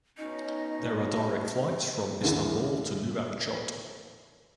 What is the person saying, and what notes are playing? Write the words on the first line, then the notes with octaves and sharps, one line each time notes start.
There are direct flights from Istanbul to Nouakchott.
B2 C#4 D#4 D#5
D#2 D3 E3 G#3